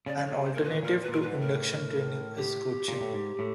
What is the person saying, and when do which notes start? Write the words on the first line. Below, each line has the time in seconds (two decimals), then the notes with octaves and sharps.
An alternative to Induction training is Coaching.
0.06 C#3 D5
0.17 D5
0.26 C#5
0.32 C3
0.44 C5
0.55 A#2 A#4
0.64 B4
0.83 A#2 A#4
1.02 B4
1.08 A#2 A#4
1.21 G#2 B4
1.34 A2
1.41 A#4
2.36 G4
2.88 A#2
3.01 A2
3.13 G#2
3.39 A2